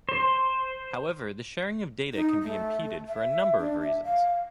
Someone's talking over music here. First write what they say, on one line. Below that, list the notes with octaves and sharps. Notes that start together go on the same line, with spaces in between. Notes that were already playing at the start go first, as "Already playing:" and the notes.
However the sharing of data can be impeded for a number of reasons.
C5
D#4
A3
E5
D4
E5
F5